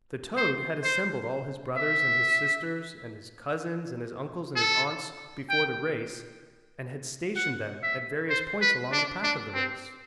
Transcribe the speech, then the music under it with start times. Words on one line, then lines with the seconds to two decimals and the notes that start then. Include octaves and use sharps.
The toad had assembled all his brothers and his sisters and his cousins and his uncles and his aunts before the race and had stationed them at various points along the path of the race.
0.37 C5
0.84 C5
1.76 E5
4.56 A4
5.50 G5
7.36 F#5
7.83 E5
8.30 C5
8.61 B4
8.92 D4
9.23 D4
9.54 C4